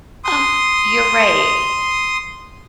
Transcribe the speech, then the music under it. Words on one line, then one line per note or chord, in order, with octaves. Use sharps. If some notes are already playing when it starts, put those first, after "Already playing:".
"Oh, you're right.
C6 D#6